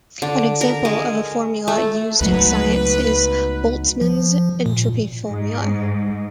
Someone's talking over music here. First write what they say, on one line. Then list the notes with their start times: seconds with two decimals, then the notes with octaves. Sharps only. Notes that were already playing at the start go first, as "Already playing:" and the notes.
An example of a formula used in science is Boltzmann's entropy formula.
0.22 D3
0.61 A#4
0.85 G#3
1.68 A3
2.21 C#2 F#3 G#3 A3 B3 D#4 B4
4.01 F3
4.66 A#2
5.26 G#2